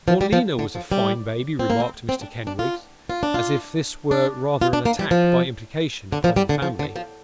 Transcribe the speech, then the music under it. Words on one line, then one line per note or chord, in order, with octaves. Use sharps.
'Morleena was a fine baby,' remarked Mr Kenwigs; as if this were rather an attack, by implication, upon the family.
F3
G3
F3
D3
F3
G3
C4
A#3
C4
C4
D4
D4
F4
F4
D4
F4
D4
F4
D4
A#3
G3
F3
D3
F3
G3
D3
F3
D3
F3